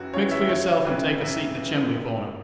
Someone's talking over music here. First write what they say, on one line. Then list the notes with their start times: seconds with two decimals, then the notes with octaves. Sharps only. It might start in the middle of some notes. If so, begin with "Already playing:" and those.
Mix for yourself and take a seat in the chimbley-corner.
Already playing: F#2 C#3 E3 F#4
0.13 C#3 E3 C#5
0.31 E5
0.49 F#2 C#5
0.85 C#3 E3 B4
1.21 F#2 E5
1.57 C#3 E3
1.93 F#2